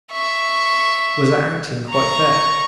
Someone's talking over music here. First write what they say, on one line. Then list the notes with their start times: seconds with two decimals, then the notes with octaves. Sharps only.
"Was that acting quite fair?"
0.12 E5 C#6
1.90 A#5 C#6